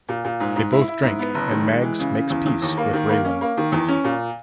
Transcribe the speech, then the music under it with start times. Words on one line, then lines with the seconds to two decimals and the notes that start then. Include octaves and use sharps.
They both drink and Mags makes peace with Raylan.
0.09 A#2
0.25 A#2
0.40 G#2
0.56 G#2
0.72 E4
0.88 E4
1.03 G#2
1.19 B3
1.34 F#1
1.51 D#3
1.66 G#3
1.82 E3
1.99 C#3
2.14 C#3
2.30 E2
2.46 E2
2.62 D#2
2.77 A#3
2.93 D#3
3.09 A#3
3.25 C#4
3.41 A#3
3.57 D#3
3.72 E2
3.88 C#4
4.04 A#2